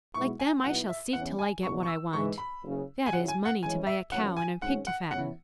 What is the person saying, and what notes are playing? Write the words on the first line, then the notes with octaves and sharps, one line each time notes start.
Like them, I shall seek till I get what I want--that is, money to buy a cow and a pig to fatten.
B1 B2 G#3 B3 E4 C#6
G#5
B1 B2 B3 E4 F#5
E5
E2 E3 C#4 F#5
G#5
F#1 E2 B2 C#6
C#6
E6
G#2 E3 G#3 C#6
B5
F#1 F#2 C#3
G#5
F#2 C#3 F#3 E4 F#5
G#5
F#5
F#2 E3 G#3 C#4 E4 G#5
E5
G#1 F#2 E3 C#4 F#5
G#5
G#1 G#2 F#3 C#4 F#5
F#5
E2 E3 C#4 E4 F#5